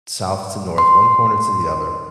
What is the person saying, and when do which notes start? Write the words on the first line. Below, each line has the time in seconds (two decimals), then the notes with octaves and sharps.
south to north, one corner to the other
0.78 C6